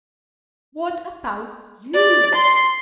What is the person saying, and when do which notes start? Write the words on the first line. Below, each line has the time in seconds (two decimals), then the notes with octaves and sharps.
What about you?
1.95 D5
2.35 C6